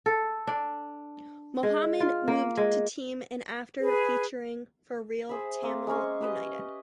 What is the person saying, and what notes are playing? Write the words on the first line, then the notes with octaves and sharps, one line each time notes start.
Mohammed moved to team in after featuring for Real Tamale United.
A4
D4
G#3
F4
A#3
G#3
G#4 B4
G#4 C5 E5 B5
A#3 C4
G#3 A#3 C#4 C#6
G4 B4 D#5